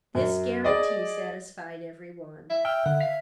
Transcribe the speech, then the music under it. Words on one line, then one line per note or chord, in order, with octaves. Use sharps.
This guarantee satisfied every one.
F#2
G#4 D5 D#5
E5
E5 G5 E6 F6
D3 F#5
F5 B6